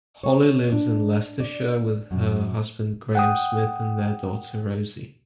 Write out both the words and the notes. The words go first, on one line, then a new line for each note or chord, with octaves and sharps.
Holly lives in Leicestershire with her husband Graham Smith and their daughter Rosie.
C#5
D4
D5
F#2
F#5 G5 D#6